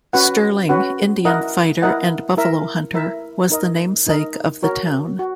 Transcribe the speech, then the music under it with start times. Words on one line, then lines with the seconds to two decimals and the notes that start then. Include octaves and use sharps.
Sterling, Indian fighter and buffalo hunter, was the namesake of the town.
0.13 C#4 F#4 B4 F#5
0.69 C#4 F#4 B4 F#5
1.25 E4 A#4 D#5 F#5
1.82 E4 A#4 D#5 F#5
2.37 E4 A#4 E5
2.94 E4 A#4 E5
3.50 D#4 A#4 D#5
4.07 D#4 A#4 D#5
4.63 F#4 A#4 C#5
5.19 F#4